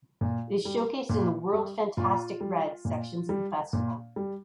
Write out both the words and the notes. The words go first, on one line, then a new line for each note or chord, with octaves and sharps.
It is showcased in the World Fantastic Red sections of the festival.
A#2
G3
A#2
G3
A#2 F4
G3
A#2
G3
A#2
G3